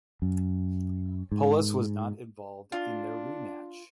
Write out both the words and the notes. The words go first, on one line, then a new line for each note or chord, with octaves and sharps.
Polis was not involved in their rematch.
F#2
G#2
D4 F4